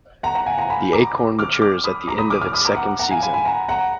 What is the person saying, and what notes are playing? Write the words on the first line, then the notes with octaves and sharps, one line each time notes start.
The acorn matures at the end of its second season.
F#5 A#5
F#5 A#5
F5 G#5
F#5 A#5
G#5 B5
A#5 D6
D6 F6
D6 F6
B5 D#6
A#5 D6
B5 D#6
D6 F6
D6 F6
B5 D#6
A#5 D6
F#5 A#5
F#5 A#5
F5 G#5
G#5 B5
G#5 B5
F#5 A#5
F#5 A#5